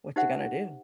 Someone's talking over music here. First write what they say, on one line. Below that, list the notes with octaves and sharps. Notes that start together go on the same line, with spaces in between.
What you gonna do?
D#4 G4 C5 E5 F#5